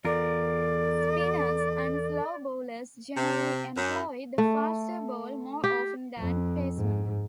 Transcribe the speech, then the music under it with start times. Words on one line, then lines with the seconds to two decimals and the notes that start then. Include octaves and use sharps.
Spinners and slow bowlers generally employ the faster ball more often than pacemen.
0.05 E2 F4 A4 A#4 D5
3.17 C3
3.77 F#2
4.38 A3
5.64 G4
6.19 F2
6.77 G#2